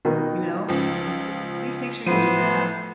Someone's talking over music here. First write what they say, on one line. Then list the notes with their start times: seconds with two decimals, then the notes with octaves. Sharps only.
You know, so p please make sure you do that,
0.05 B2 D#3 A#3
0.68 C#2 F3
2.06 A2 F3 B3 C5 D#7